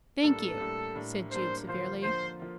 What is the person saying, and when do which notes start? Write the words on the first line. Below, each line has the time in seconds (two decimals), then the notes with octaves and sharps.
"Thank you!" said Jude severely.
0.23 A2 G3 A#3 D4 A4
0.60 A2 G3 A#3 D4
0.95 A2 G3 A#3 D4
1.31 A2 G3 A#3 D4 C5
1.67 D3 F3 A#3 F4 C5
2.03 D3 F3 A#3 F4 C5
2.39 F3 A#3 F4